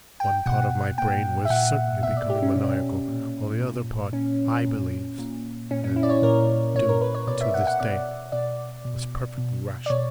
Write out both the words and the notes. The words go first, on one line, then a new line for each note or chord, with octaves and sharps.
One part of my brain was certainly becoming maniacal, while the other part, I believe, and do to this day, was perfectly rational.
G5
B2 F#5
A#2 G5
E5
A#2 F#5
B2 E5
D5
G4
C#4
B2 C#4
A#2
A#2
A#2 C#4
A#2
A#2
A#2 C#4
C#4
E4
D5
C#5
A#2 A#4
A#2 C#5
A#4
B4
C#5
B2 D5
E5
F#5
F#5
B2 D5
B2 D5
B2
B2
D5
B2 C#5